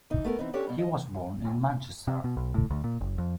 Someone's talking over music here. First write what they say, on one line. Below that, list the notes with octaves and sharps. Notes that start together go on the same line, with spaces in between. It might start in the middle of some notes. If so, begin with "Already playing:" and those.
He was born in Manchester.
E3 D#4
A3 B3 A4 A#4
E3 C4 D#4
C#4 D4 G4 A4 C#5
G2 B2
D#5
C3
B2
B1
A2
D2
A#2
F#1
F2